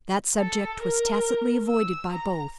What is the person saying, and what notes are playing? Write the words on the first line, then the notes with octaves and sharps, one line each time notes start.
That subject was tacitly avoided by both.
A4
A#4
E6
A#5